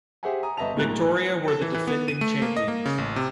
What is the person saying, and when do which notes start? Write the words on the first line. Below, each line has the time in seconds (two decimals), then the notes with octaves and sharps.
Victoria were the defending champions.
0.23 G4 G#4 C5 E5 F#5 G#5
0.43 G#5 A#5 D#6
0.57 G1 B4 D#5 E5 A5 F7
0.77 B1 A2 G#3 A#3 F#6 F7
1.48 A4
1.62 E3
1.74 E3
1.87 B3
2.08 D#7
2.21 A3
2.42 A#3
2.57 D#5
2.68 A#3
2.86 C#3
2.98 A1
3.16 C3